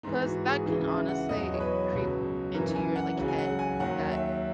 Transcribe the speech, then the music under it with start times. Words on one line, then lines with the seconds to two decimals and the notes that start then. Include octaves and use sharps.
'Cause that can honestly creep into your, like, head that,
0.03 G#2 E3 D#4
0.25 F#4
0.46 G#4
0.66 C#2 C#3 E3 G#4
0.87 E5
1.09 F#5
1.29 E2 B2 F#3 D#5
1.54 C#5
1.60 B4
1.92 C#2 B2 F#3
2.54 F#2 E3 A#4
2.75 G#5
2.96 F#5
3.17 C#2 C#3 F#3
3.28 G#5
3.38 F#5
3.59 G#5
3.80 D#2 D#3 F#3 F#5
4.11 E5